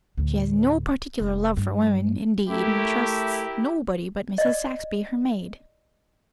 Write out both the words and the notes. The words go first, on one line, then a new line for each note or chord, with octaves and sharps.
She has no particular love for women, indeed, and trusts nobody but Mrs. Saxby, her maid.
D2 A2
F1
G2
A3 E4 G4 A#4
D5 D#5